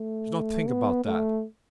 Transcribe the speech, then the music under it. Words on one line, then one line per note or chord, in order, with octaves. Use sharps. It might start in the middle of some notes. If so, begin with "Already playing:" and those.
Do not think about that.
Already playing: A3
B3
A3